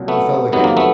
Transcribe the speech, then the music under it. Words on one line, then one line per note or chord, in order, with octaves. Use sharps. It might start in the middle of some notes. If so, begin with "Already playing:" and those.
He fell again.
Already playing: C2 A#2 F#3
A3 B3
F2 C3 D#3 F#3 B3
A#3
A3 B3